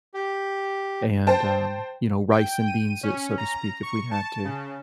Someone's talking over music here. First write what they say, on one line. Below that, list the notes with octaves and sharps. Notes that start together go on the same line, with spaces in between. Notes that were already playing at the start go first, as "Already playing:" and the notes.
and, um, you know, rice and beans it, so to speak, if we'd had to.
G4
C5 G5 A5
G5
D#7
C#4
A#5
C#6
A5
C#3